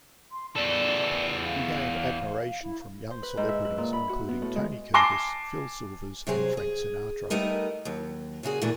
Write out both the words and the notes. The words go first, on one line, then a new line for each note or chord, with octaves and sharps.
He gained admiration from young celebrities, including Tony Curtis, Phil Silvers, and Frank Sinatra.
C6
E2 A4 D5
F5
E4
C5
B4
G#2
E5
B4
A#2
B5
F#4
B3
A2
G#3
G#5 A5 D6 A#6 C7 G7
C3 F#3 G4 G#4 C5
G#4
G3 A3 B3 D#4 A#4
D#2 F#3
A#2 C#3 F#4 G#4
A#2 D3 E3 A3 F#4